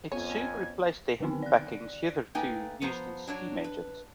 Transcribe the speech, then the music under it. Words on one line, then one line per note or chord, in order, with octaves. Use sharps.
It soon replaced the hemp packing hitherto used in steam engines.
F2 B3 C#4 F4 C#5 G#5
D3 D#3 B3 C4 D#4
D5 F#6
A3 A#3 D#4 B4 G5 G#5
F3 B3 C5 A#5
F#3 D4 C#5
B4